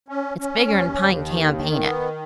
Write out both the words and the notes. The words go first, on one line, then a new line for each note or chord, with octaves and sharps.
"It's bigger'n Pine Camp, ain't it?"
C#4
C#4
D#2
D#2
D#3
D#3
B3